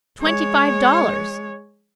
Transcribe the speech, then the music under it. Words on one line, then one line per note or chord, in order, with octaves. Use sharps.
"Twenty-five dollars."
G#3 C#5